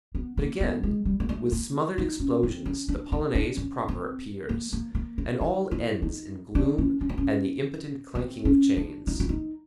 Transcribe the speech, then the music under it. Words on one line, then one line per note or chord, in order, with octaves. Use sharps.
But again with smothered explosions the Polonaise proper appears, and all ends in gloom and the impotent clanking of chains.
B3
A#3
B3
G#3
G3
A#3
A3
A#3
D#4
C#4
C4
C#4
D4
D#4
D4
C#4
C4
A#3
A#3
A#3
E4
D#4
E4
D#4
D4
C#4
C#4
C4
C#4
C4
C#4
D4
D#4
E4
D#4